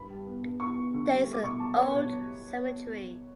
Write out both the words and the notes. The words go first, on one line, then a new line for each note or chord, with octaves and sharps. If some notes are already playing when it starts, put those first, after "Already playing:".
There is an old cemetery.
Already playing: G2 B5
G3
B3
G2
B3 C#6
B3
D3
G3
A3
D6
B2 C#6
F#3 A5
A3 C#5
B4
B2 C#5
F#3